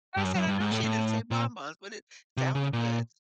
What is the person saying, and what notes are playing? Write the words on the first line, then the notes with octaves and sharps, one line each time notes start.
I said, "I know she didn't say bonbons." But it sounds good.
G2
F#2
F#2
G2
G#2
A2
A2
A#2
C3
C#3
A#2